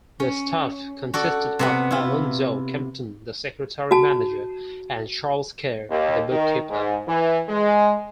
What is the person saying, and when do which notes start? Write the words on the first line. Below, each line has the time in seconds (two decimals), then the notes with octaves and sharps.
The staff consisted of Alonzo Kempton, the secretary-manager, and Charles Kerr, the bookkeeper.
0.20 C#4
1.14 F#4 A4 D5
1.59 C3 B3 F#5
1.91 E4 F4
3.91 F#4 A5
5.89 D#2
6.31 D#3
6.70 G#2
7.07 E3
7.49 G#3